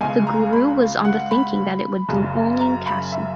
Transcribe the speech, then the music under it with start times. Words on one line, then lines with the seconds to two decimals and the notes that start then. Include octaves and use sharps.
The guru was on the thinking that it would bloom only in Kasi.
0.01 C#2 C#3 G#3 G#5
0.27 A#5
0.53 B5
1.05 F#5
1.31 B5
2.09 F#1 F#2 C#3
2.61 A#5
2.87 B5
3.12 E5